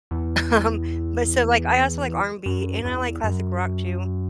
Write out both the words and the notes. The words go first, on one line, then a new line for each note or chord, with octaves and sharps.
Um, but so, like, I also like R&B, and I like classic rock too.
E2
F#2
E2
F#2